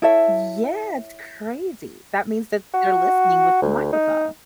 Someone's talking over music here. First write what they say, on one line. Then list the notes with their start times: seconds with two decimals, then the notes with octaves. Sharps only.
Yeah, it's crazy, that means that they're listening with the microphone.
0.02 E4 A4 C#5 E5
2.74 F#4
3.62 D2
3.93 D#4